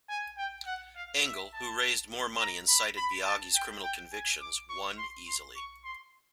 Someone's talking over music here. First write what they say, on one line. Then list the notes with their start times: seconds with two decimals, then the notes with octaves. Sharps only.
Engel, who raised more money and cited Biaggi's criminal convictions, won easily.
0.09 G#5
0.37 G5
0.66 F#5
0.96 F5
1.25 E5
1.53 A5
2.39 A#5
2.68 B5
2.97 B5
3.25 A5
3.55 G5
3.83 G5
4.12 G#5
4.41 D6
4.69 C#6
4.98 C6
5.27 C6
5.56 C#6
5.84 C6